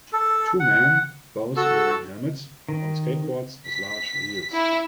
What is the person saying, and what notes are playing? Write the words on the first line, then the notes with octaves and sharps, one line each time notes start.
Two men, both wearing helmets, on skateboards with large wheels.
A4
F#5
F#4 A4 E6
D#3
B6
E4